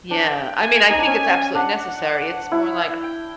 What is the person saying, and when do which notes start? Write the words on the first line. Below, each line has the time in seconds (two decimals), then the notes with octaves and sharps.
Yeah, I mean, I think it's absolutely necessary it's more like,
0.11 D4 G5
0.58 G#5
0.90 D#4
0.98 D4
1.07 C#4
1.31 C#4
1.55 D4 F#5
2.52 E4
3.00 G5